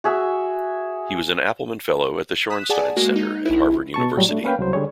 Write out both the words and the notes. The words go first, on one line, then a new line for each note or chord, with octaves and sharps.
He was an Appleman Fellow at the Shorenstein Center at Harvard University.
F#4 G#4 E5
D#6 F#6 B6 E7
G#4 D5 F#5 G#5 A5
G#3 A#3 F#4
D#4
A#1 E4
B2 A5 C#6
A2 F#3 G3
A3 D4
A#3 C#4 B4 F5 G5
C2 F#3 C5
D3 G3 G#4 C#5